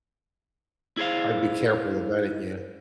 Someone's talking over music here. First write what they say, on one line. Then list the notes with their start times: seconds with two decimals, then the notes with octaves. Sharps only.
I'd be careful about it, yeah.
0.97 E4 G#4 C5 F5